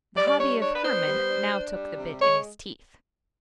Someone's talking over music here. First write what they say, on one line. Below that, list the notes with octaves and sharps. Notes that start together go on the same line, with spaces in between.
The hobby of Hermann now took the bit in his teeth.
G3 D5
D5
D4 C#5
D4 C#5
B4
B3 C5
G3
D4
D4
G3
C3
G#3 C#5